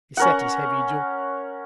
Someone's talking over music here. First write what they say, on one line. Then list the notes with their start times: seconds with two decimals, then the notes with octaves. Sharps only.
He set his heavy jaw.
0.17 C#4 A#4 F#5